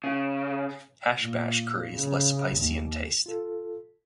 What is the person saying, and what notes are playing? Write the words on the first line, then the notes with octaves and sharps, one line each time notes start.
Hash Bash curry is less spicy in taste.
C#3
A#2
C#3
D#2
F4 A4